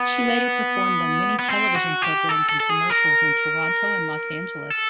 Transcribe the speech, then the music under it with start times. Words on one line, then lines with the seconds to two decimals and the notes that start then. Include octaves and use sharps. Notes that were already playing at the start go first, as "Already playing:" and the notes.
She later performed on many television programs and commercials in Toronto and Los Angeles.
Already playing: B3
1.39 B3
1.48 C4
1.75 F#4
2.02 G4
2.29 A4
2.49 A4
2.60 A4
2.69 G#4
2.90 A#4
4.70 A4